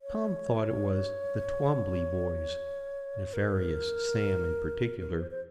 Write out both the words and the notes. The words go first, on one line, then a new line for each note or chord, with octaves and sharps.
Tom thought it was "the Twombly boys," nefarious Sam in particular.
C#5
A#4
A#4
C5
C5